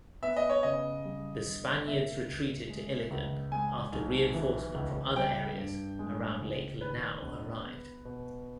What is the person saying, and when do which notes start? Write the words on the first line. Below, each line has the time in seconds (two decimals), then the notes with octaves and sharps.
The Spaniards retreated to Iligan after reinforcement from other areas around Lake Lanao arrived.
0.23 B3 E5
0.37 D#5
0.50 C#5
0.63 C#3 D#5
1.05 G3
1.46 G1
1.87 A#3 E5
2.28 C#2
2.70 G#3
3.11 C#2
3.51 G#3 G#5
3.93 B1
4.34 E3
4.75 C#2
5.16 G3 G5
5.58 G2
5.99 G#3
6.41 C#2
6.81 D#3 B4
7.22 E1
7.64 B3
8.05 B2